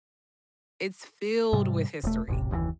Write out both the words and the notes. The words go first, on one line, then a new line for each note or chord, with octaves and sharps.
it's filled with history.
G#2 C3 G3
E1 A3
E1 A1 C3
F#1 D#2 A2 E3